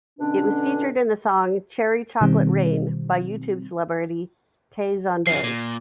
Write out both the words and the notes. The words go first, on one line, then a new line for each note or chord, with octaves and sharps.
It was featured in the song "Cherry Chocolate Rain" by YouTube celebrity Tay Zonday.
B2 D3 C#4 D4
B2 D#3 G3 C4
F3 C#4 C7
A#2